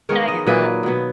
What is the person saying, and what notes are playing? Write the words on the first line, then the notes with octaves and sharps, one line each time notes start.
and I get that
D#3 G#3 B3 A#4 C#5
D#5
A#2 F#3 A#3 B4 D#5
B2 F#3 B3